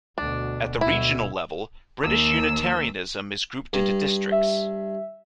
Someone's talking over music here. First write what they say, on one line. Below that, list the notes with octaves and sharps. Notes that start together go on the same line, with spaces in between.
At the regional level, British Unitarianism is grouped into Districts.
D2 B2 D4
D2 B2 E4
D#2 E6
G2
E5